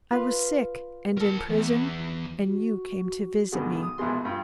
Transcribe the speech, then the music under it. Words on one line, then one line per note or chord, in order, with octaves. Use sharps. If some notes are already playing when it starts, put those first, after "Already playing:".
I was sick, and in prison, and you came to visit me!'
F4 B4
A#4 A5
E2
F#4
G2 B2 D3 D#3 G#3 F#4
D#6
A#1 E2 B2 G#3 C6
G2 F4 G5